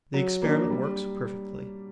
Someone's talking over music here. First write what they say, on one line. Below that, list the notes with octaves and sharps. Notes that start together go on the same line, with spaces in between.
The experiment works perfectly.
F#3
A#3 D4
G3